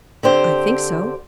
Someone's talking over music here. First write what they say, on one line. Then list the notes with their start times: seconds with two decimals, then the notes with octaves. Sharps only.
"I think so."
0.23 D3 C4 G4 C5